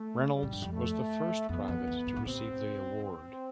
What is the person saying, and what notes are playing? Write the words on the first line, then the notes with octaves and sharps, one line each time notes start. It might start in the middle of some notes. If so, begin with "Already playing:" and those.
Reynolds was the first private to receive the award.
Already playing: A3
G3
A2
G2
F2
A3
F2 B3
F2
E2
G2
A2
C3 C4
C4